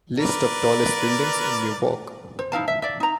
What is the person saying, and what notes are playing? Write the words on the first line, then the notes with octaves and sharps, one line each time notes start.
List of tallest buildings in Newark.
A#4 B4 D5
C5
D#4 E4 F5 A5
E5
D5 E5
D#4 A#5